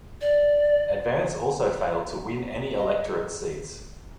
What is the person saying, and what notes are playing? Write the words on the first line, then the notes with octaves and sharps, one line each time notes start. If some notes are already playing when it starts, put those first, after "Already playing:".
Advance also failed to win any electorate seats.
D5
D#5